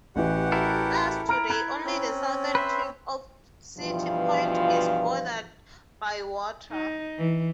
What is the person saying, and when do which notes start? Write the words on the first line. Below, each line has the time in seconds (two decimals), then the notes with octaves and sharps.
Thus today only the southern tip of City Point is bordered by water.
0.16 A1 E3 F#4 G4 F#5
0.52 E4 A4 A#4
1.29 A#5 F6 D7
1.49 A#5 F#6 G#6
1.85 C4 C#4
2.55 B4 C5 E5
3.78 G2 B2 E3 F3 F4
6.71 D#4
7.18 E3